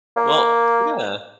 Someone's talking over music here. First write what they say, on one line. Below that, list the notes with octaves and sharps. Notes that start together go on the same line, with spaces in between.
Well Yeah.
A#3